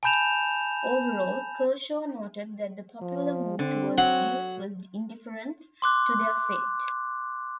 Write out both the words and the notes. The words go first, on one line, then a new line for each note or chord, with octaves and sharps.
Overall, Kershaw noted that the popular mood towards Jews was indifference to their fate.
G#5 A5 B5 G6 E7 F7
F3
D3 C4
F#3 F#5
C6 D6 F#6